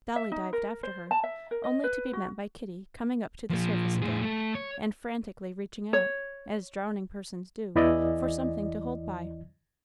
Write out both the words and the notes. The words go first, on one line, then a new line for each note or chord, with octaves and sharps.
Dolly dived after her, only to be met by Kitty coming up to the surface again, and frantically reaching out, as drowning persons do, for something to hold by.
E5
D#4
A#4
C5
A5
E5
A#4
D#5
B4
F#4
A#2 F3
A2 G#4
A3 A4
C#5
C#5
E2 E3 E4 D5 D#5